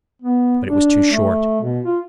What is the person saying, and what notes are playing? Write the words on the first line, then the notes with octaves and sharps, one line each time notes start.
But it was too short.
B3
D4
A3
B2
F4